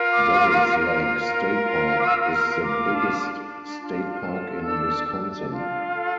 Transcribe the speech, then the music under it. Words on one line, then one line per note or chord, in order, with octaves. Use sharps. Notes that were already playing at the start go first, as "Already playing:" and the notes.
Devil's Lake State Park is the biggest state park in Wisconsin.
Already playing: F4 A#4
D6
A#4
F4
A#4
F4
D6
A#4 E6
F6
F4
D6
D4
D4
F4
A4
D4 E6
D4
F4
A4